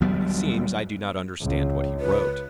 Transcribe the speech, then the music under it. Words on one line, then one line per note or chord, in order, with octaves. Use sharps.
But it seems I do not understand what he wrote.
D2 F#3 G3 B3
C#2
B4